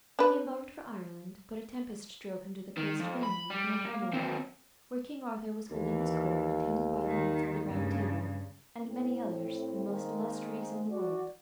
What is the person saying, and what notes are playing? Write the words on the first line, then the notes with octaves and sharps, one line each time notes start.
He embarked for Ireland; but a tempest drove him to the coast of England, near Camelot, where King Arthur was holding his court, attended by the knights of the Round Table, and many others, the most illustrious in the world.
D4 B4
D#3
F2
B5
G3
A#3
D#2 C4
D#2 E3
D#3
G2 C#3
A2 C4
D#3 G#3 A#3 C4
F#4 D5